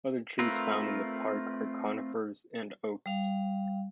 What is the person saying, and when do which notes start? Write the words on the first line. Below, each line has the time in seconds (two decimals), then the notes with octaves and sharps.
Other trees found in the park are conifers, and oaks.
0.39 A3 C4 F4 A#4 B4
3.06 G3 F5